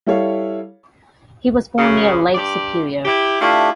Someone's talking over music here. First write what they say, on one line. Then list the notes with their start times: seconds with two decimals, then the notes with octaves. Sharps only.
He was born near Lake Superior.
0.06 G3 E4 A4 C#5 F5
1.78 F#2 C#3
2.35 G2 G4 D5
3.05 E4 G4
3.41 A3 D4 E4 F4 G4